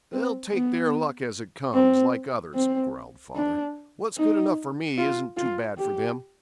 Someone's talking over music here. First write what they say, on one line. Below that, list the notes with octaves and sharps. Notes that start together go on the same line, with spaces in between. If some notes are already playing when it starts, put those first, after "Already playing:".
'They'll take their luck as it comes, like others,' growled father; 'what's good enough for me isn't too bad for them.
C4
B3
C4
C4
D4
D#4
F4
F4
G4